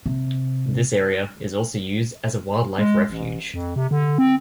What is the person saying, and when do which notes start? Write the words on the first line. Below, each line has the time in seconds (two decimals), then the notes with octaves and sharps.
This area is also used as a wildlife refuge.
0.06 C3
2.79 G#3
3.10 A1
3.54 F2
3.76 C3
3.91 D3
4.18 C4